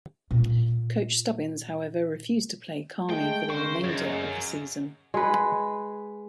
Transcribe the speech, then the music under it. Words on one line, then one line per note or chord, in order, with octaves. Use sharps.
Coach Stubbins however refused to play Carney for the remainder of the season.
A#2 F4
G#3 A3 G5
C#3 A#4 C5 C#6
F#2 C#5 D#5
G#3 B4